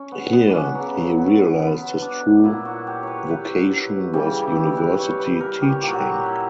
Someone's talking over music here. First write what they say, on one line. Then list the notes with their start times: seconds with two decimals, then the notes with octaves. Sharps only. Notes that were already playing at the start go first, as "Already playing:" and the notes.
Here he realized his true vocation was university teaching.
Already playing: C#4
0.12 B3
0.33 B3
0.49 C#4 D4
0.75 C#3 F#3 B3
1.18 B3
1.60 B3
2.02 D4
2.44 A#2 F#3 E4
2.65 F#4
2.87 G4
3.03 B4 C#5
3.29 B4
3.72 B4
4.13 C#3 E3 G3 G4
4.35 E4
4.56 G4
4.77 B4
4.99 C#5
5.20 B4
5.40 A#4
5.62 G4
5.83 A#2 F#3 G4
5.93 F#4
6.04 G4
6.26 E4